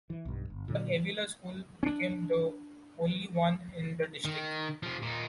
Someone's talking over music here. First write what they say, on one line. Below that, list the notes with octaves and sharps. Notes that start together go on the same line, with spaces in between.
The Avilla school became the only one in the district.
E3
B1 G2
G1
A#2 D3 F3 F#3
C#4 D4
D#3
C3 F3
A#2 D#4